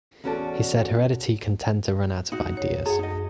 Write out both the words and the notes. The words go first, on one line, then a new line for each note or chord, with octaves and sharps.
He said, Heredity can tend to run out of ideas.
E2 C#4 F#4 A4 D5 A5
D#4 F#4
C#5
F#2 G#4 F#5
D#4 D#5